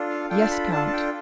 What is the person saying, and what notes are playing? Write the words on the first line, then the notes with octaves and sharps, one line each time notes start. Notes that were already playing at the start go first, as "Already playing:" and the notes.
"Yes, count."
Already playing: D4 F4 A4
F5
D4 F4 A4 G5
A5
B5
D4 F4 A4 A5
A5
G5